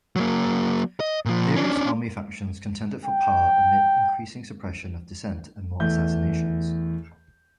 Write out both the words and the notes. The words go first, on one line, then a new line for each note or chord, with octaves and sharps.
Various army factions contended for power amid increasing suppression of dissent and more assassinations.
F#3 A#3
D#5
A#2 F3
C#4 D4
G5
E2 A3 E5 G6